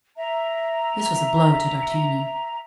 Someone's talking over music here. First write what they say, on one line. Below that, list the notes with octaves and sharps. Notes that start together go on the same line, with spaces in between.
This was a blow to D'Artagnan.
E5 A#5